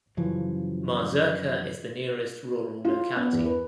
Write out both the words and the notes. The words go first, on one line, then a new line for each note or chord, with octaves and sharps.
Mazurka is the nearest rural locality.
F#2 C#3 E3 F3
F4
B3
E2
B4